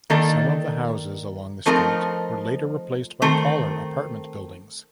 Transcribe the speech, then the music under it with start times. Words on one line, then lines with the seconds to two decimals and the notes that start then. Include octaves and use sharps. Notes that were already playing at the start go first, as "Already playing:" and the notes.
Some of the houses along the street were later replaced by taller apartment buildings.
0.10 D#3 A#3 D#4 A4 D5
1.66 F3 A3 C4 D#4 A#4
3.22 D#3 A3 C4